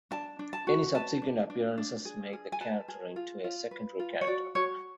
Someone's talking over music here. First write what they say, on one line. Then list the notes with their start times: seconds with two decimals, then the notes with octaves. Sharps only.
Any subsequent appearances make the character into a secondary character.
0.11 D4 A5
0.39 D4
0.53 A5
0.67 F#4
0.94 B4 A5
1.22 D4
1.50 D4
1.78 D4
2.05 G#4
2.33 G#4
2.52 G#5
2.61 B4 A5
2.88 G#4
3.16 F4
3.44 F4
3.71 B4
4.00 F4
4.21 C#5
4.27 F#4 D5
4.55 F#4 C#5